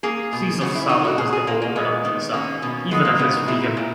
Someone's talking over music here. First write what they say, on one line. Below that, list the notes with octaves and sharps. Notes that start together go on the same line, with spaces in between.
Caesar salad does not belong on a pizza even it it is vegan.
A#3 G#4
B2
C#3 F#4
E4
C#3 D#4
F#4
A#2 G#4
G#4
A#2 A#3
A#3
G#3 B3
D#3
A#3 C#4
B2 C#4
G#3 B3
A#3
C#3 B3
D#4
A#2 E4
A#2